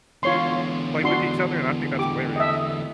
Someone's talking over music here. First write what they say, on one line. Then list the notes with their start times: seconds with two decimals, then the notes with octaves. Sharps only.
play with each other, and I think that's hilarious.
0.23 E2 D3 F4 C#5 C6
1.03 D4 F#4 C6
1.99 G4 D6
2.36 D#5 E5